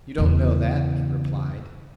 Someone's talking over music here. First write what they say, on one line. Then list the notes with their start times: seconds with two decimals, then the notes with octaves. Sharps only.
"You don't know that," he replied.
0.18 E2 C#3